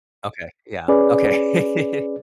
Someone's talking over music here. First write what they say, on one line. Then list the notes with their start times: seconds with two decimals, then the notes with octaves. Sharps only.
Okay, yeah, okay.
0.88 C#4 G#4 B4 D5